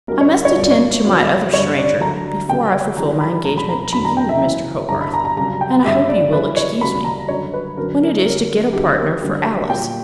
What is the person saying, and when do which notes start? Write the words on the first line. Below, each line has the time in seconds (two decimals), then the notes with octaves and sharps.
I must attend to my other stranger before I fulfil my engagement to you, Mr. Hogarth, and I hope you will excuse me, when it is to get a partner for Alice.
0.08 D2 D3 G3 A#4
0.21 C#5
0.45 C#5
0.56 G2 F#3 D5
0.71 C#5
1.05 D2 C#3 F#3
1.53 G2 D3 G3 C#5
1.77 D5
2.01 D2 D3 F#3 A#5
2.49 D2 C#3 G3 G5
2.97 F#2 E3 G3 A#5
3.21 B5
3.45 C#2 B2 G3 A#5
3.58 B5
3.69 A#5
3.92 F#3 B5
3.95 E2 D3
4.05 A#5
4.17 G5
4.29 E5
4.41 F#2 C#3 E3
4.88 G2 D3 G3 A#5
5.01 B5
5.14 A#5
5.25 A#5
5.37 F#2 C#3 G3 A#5
5.61 G5
5.84 G2 D3 G3 E5
6.09 D5
6.32 F#2 E3 G3 B4
6.57 C#5
6.81 D2 C#3 G3 B5
7.04 A#5
7.28 F#2 D3 G3 C#5
7.54 B4
7.77 F#2 D3 F#3 A#4
8.01 A#4
8.24 F#2 D3 G3 A#4
8.73 D2 D3 F#3 G4
8.97 A#4
9.21 F#2 D3 G3
9.69 A#2 G3 G5